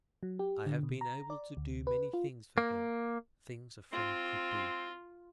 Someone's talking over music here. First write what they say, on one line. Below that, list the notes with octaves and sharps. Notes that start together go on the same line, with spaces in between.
I have been able to do many things for her; things a friend could do.
F#3
G4
D3
B2
A#5
D5
D2
B4
F4
A#3
C4 F4